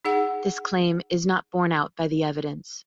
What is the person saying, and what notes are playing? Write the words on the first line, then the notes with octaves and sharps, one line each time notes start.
This claim is not borne out by the evidence.
D#4 G#4 F#5